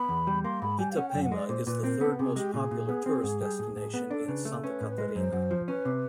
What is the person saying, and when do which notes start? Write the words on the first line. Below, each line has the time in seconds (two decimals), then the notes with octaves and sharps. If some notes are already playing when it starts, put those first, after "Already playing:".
Itapema is the third most popular tourist destination in Santa Catarina.
Already playing: B3 B5
0.09 E2
0.27 G3
0.44 A#3 C6
0.62 G#2 B5
0.79 G3 G#5
0.91 F5
0.97 C#4 F#5
1.09 G5
1.14 F#2
1.23 F#5
1.32 G#3 D5
1.49 A#2 C5
1.67 A#2 B4
1.84 C4 A#4
2.01 B3 A4
2.19 C3 G#4
2.36 G#3 G4
2.54 A#2 G#4
2.71 A#2
2.89 B3
3.06 C4
3.23 G#2
3.41 G3
3.59 A2
3.76 A2
3.94 B3
4.11 D4 A4
4.28 C#3 B4
4.45 A3
4.63 C#4 B4
4.81 A2
4.89 B4
4.98 G#3
5.15 F#2 C5
5.32 F#2
5.51 F3
5.68 C#4 B4
5.85 C3